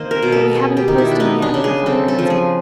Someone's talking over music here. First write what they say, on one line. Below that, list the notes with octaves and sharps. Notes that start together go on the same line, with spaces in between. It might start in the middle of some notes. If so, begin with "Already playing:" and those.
"But we haven't opposed him yet," her father answered.
Already playing: D#3 A#3 C5 D#5
A#4
B2
A4
B3 G#4
G4
D#3
E4
D4
B3 D#4
D4
C#3
G#4
C4 A4
A4
F3
G#4